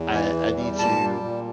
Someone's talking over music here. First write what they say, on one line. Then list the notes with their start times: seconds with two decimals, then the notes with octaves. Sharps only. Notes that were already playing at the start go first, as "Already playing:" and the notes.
I I need to
Already playing: E2
0.14 E3
0.36 E2
0.57 G3
0.79 A#2 A5
1.01 G3
1.24 A#2